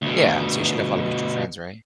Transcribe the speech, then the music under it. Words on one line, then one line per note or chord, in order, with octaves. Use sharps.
Yeah. So you should have a lot of mutual friends, right?
D2 B2